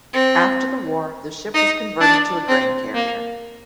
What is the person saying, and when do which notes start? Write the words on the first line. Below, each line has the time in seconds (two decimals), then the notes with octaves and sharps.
After the war the ship was converted to a grain carrier.
0.14 C4
1.54 D#4
2.00 D4
2.48 C4
2.95 A#3